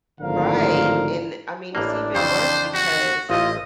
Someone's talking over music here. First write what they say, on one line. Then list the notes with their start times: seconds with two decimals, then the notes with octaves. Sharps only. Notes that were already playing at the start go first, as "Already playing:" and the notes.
Right, and, I mean, it's even worse because
0.21 G#1 A2 D3 F3 A#4 F5
1.75 A1 E3 A#3 D4
2.15 F2 C#3 E3 C5
2.75 F#4
3.30 A1 A3 F4 D#5